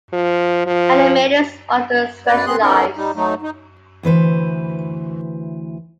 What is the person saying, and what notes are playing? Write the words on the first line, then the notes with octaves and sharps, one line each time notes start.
Animators often specialize.
F3
F3
F#2 B4 D5
B3 C4 G#4 C6 F#6
B3 C#4 D#4 A4 A#4
G3 D#4
F#3 A3 D#4
D#4
D2 E3 B4 C5